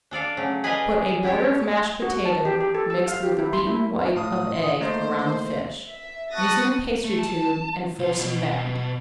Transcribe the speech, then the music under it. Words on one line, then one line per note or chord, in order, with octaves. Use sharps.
Put a border of mashed potato mixed with the beaten white of egg around the fish, using a pastry tube and forcing bag.
D4 A4 D5 F5
C#3 F#3 A3
G#4 B4 D5 D#5 F5 G#5
D4 E4 G4 A4 C#5
F#4
A5
G4
G4
A4
E6
F5
G4
E4
C6
E4
A2 F5 D#6
F4
A3 A#3 D#4 C5
E5
A5 C#6 D#6 F#6 A6 A#6
A3
A5
C2 F4
B2